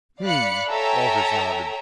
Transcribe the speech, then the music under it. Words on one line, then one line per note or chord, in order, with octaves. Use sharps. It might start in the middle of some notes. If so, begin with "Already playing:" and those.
"Hmm," Walters nodded.
D5 F5 B5 F#6 C#7
A4 C#5 E5 G5 G#5 A#5